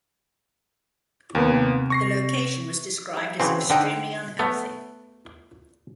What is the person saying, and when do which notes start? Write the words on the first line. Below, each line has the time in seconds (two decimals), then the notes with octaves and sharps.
The location was described as extremely unhealthy.
1.35 D#2 C3 A#3 B3
1.90 C#6 A#6 C7
3.13 G3 E4
3.40 C#3 E3 F3 C4 F#4 B4
3.70 D3 D#4 C5 G5
4.39 A3 B3